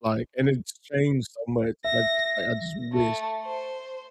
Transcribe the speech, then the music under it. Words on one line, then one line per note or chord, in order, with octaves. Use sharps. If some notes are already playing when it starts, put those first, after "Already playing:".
like, and it's changed so much, and I just like, I just wish
E5 A#6
A3
C5